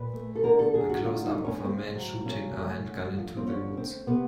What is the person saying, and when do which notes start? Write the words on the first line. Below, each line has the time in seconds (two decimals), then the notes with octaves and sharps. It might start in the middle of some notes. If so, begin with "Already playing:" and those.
A closeup of a man shooting a handgun into the woods.
Already playing: A#2 B4
0.13 A3
0.35 A4
0.43 D3 A#4
0.59 A4
0.74 F#3 G#4
0.89 F#4
1.04 D3 F4
1.24 D#4
1.34 A3
1.45 C#4
1.65 C#3 C4
1.95 F#3
2.25 C#3 C#4
2.56 A3
2.86 D3
3.16 F3
3.37 C4
3.46 D3 C#4
3.77 A3 C4
4.07 C3 B3